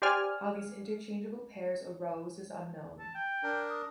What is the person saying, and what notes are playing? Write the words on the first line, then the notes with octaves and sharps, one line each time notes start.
How these interchangeable pairs arose is unknown.
G4 C5 D5 G#5 F6
A5
G5
D4 A#4
D#6